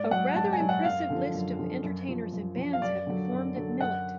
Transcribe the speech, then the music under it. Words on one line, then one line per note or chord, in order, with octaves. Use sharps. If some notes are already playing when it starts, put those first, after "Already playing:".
A rather impressive list of entertainers and bands have performed at Millett.
Already playing: G#2 D5
F#3 F#5
G#2 A5
G#5
F#3
F#5
F#2 F5
D3 F3
F#2
D3 F3
F#2
F3
F#2
F3
F5
F#2 D5
D3 F#3
F#2
D3 F#3
F#2 F#5